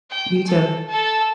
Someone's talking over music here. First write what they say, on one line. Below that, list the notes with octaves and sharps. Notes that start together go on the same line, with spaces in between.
You too.
G5
A4
A4 A5